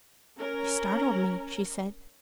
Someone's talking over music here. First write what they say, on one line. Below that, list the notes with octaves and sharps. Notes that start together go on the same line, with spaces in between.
"You startled me," she said.
C#4 A#4 A#5